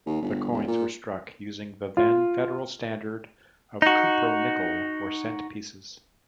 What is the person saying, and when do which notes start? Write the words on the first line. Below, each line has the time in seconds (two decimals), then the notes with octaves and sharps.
The coins were struck using the then Federal standard of cupronickel for cent pieces.
0.06 D#2
0.22 G1
0.52 E1
0.68 A#2
1.97 F4
3.82 D#4 F#4